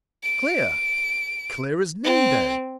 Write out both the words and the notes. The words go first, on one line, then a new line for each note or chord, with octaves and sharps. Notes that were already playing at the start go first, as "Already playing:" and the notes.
Clear!--clear as noonday!
D7
C4